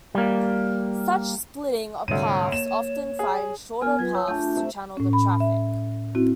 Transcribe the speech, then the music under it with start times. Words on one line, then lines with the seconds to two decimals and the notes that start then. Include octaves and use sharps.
Such splitting of paths often finds shorter paths to channel the traffic.
0.15 G3 A#3
2.08 D2 G#2 C3 G3 C#5 D#7
2.52 A#3 E7
3.19 G#4
3.81 B3 G#4 A#4 G#5 F6
3.99 F#3 F4 B4 G#6
4.15 C#5 E6
4.28 A3 D4 F4 A5 G6
4.55 C3 E5
4.97 A2 C#4
5.13 B5
5.40 E5
6.15 C4 E4 F#4